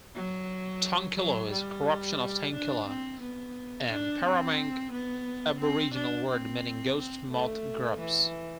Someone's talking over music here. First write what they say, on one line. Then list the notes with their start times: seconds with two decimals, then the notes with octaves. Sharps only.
Tungkillo is a corruption of "tainkila", an Peramangk Aboriginal word meaning "ghost moth grubs".
0.15 F#3
1.16 F#3
1.51 G3
2.53 D4
2.87 C4
3.22 B3
3.90 D4
4.24 C4
4.93 B3
5.61 C4
5.95 D4
6.29 C4
6.97 C4
7.31 A3
7.99 E3